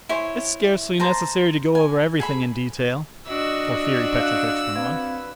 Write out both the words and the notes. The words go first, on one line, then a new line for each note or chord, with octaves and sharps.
"It's scarcely necessary to go over everything in detail," Porfiry Petrovitch went on.
E4 C5 C#5 G#5
C5 A5 A#5
G#5
G#4 A4 B5
D4 F#4 D#5 E6
E6
F5 F#6
C4 B4 F5 G#6